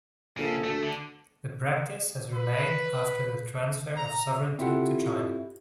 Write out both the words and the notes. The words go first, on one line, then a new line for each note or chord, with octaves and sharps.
The practice has remained after the transfer of sovereignty to China.
A#1 C#3 A4
D2 A3
D3
B4
A#5
C4 E4 F4 G4 A4 F#5